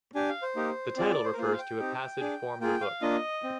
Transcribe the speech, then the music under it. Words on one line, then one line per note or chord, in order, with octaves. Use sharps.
The title refers to a passage form the book.
D4 G4 G#5
F5
C5
A#3 D#4 G4
C4 F4 G#4 D5
D5
C5
A#4
A#3 F4 G#4 C5
F5
G5
C4 D#4 G4
D4 G#4
A#3 F4 G#4 G5
F5
A#3 D4 F4 D#5
C4